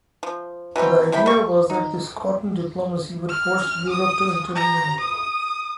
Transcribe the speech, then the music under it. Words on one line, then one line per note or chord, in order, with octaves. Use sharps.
The idea was that this cotton diplomacy would force Europe to intervene.
F3
B2 E3 F#3 C4
C3 E4 G5 B5
G3 C#6
D#4
F6
D#6
A#5
D#6